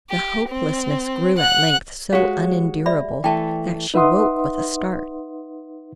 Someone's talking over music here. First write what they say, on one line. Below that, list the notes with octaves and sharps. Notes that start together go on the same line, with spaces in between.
The hopelessness grew at length so unendurable that she woke with a start.
G4
C4
F#5 F#6
G#3 F#4 G4 C#5 F5
D5 E5 B5
E3 A3 G5 A5
D#4 B4 E5 F#5 C6 D#6